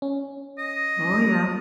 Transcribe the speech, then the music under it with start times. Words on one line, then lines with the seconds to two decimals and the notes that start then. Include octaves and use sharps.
Oh, yeah.
0.02 C#4
0.58 D#5